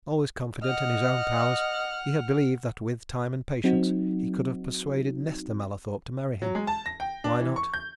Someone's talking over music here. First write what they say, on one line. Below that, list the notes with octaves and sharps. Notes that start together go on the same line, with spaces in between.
Always confident in his own powers, he had believed that with time and patience he could have persuaded Nesta Mallathorpe to marry him--why not?
D#5 F#5 F6
F#3 C4 D#4 F#4
F#3
G#3
A5
A#6
G5
D4
E3
C#6
G6